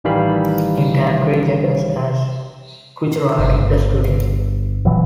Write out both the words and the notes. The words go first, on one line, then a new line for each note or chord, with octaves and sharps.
It had three genders as Gujarati does today.
A1 D#3 E3 G3 F5 B5
G1
D1 A#2 E3 F#3